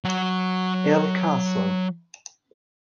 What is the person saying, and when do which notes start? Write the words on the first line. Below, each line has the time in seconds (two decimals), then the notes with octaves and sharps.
El Caso.
0.04 F#3 F#5